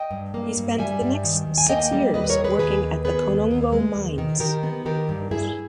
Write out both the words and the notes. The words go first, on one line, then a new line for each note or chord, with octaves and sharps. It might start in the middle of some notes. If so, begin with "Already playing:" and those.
He spent the next six years working at the Konongo mines.
Already playing: D#5 G5
G2
A#3
G2
G3 E5 G#5
G2
D#3
D#2
G#5
A#3 D#5 G5
G3
D#2 B4 D#5
B4
A#4 C#5
D#3
G#4 B4
D#2 G#4 B4
D#3
B3 G#4 B4
D#2
D#2
G#3
D#2
D#3
D#3 G4 A#4
B3
D#3 G4 A#4
G2
G2 E4 G#4